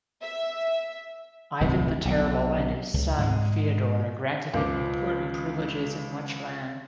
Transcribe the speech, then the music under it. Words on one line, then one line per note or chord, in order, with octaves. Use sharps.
Ivan the Terrible and his son Feodor granted it important privileges and much land.
E5
D1 C2 G2 C3
B1
C#2
G#2 G#3
C#2 F3 D6